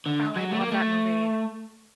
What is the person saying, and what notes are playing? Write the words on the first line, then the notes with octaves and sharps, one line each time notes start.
Oh, I love that movie.
D3
F#3
A3
A#3
A3